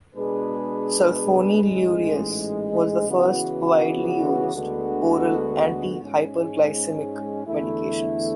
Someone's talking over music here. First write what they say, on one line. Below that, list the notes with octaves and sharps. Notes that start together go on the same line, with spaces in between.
Sulfonylureas were the first widely used oral anti-hyperglycemic medications.
B2 G#3 D4 G#4 B4
A1 G#2 G#3
C#3 E3 B3 F#4
D2 D3 G#3 B3 F#4
G#2 G#3 C#4
E2 D3 A3 E4